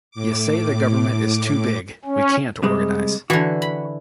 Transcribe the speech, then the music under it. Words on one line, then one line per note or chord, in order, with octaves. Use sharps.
You say the government is too big; we can't organize.
A2 D6
C#4
C3 G3 G#3
D3 E3 F#4
B5